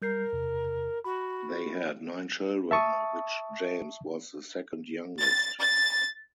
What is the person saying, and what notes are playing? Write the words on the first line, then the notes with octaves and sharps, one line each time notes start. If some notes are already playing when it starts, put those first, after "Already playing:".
They had nine children of which James was the second youngest.
G3 A#4 G6 C7
E2 C3
F#4 B5
E5 A5 C#6 D#6
A6
A6